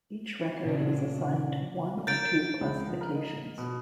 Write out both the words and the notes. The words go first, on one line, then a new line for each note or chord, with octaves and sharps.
Each record is assigned to one or two classifications.
A#2 C#3 D4
A#4 G6 A6 D7
C#2
F3
A#4
D#5
B2